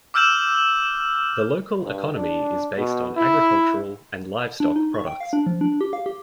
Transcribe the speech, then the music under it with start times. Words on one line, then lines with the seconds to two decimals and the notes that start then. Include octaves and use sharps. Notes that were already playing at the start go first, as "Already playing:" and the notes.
The local economy is based on agricultural and livestock products.
0.14 D6 E6 F6 G6 E7 F#7
1.82 G2
2.17 D4
2.77 B2
3.17 E4
4.60 D4
4.76 D#4
4.94 C#6
5.07 G5
5.20 F5
5.33 D4
5.47 F3
5.61 D4
5.81 G4
5.93 F5
6.06 G4